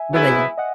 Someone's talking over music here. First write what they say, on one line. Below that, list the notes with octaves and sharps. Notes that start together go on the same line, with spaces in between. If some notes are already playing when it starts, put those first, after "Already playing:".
when they
Already playing: E5 G#5
G#2 F#3 B3 E4 G#4
D#5 F#5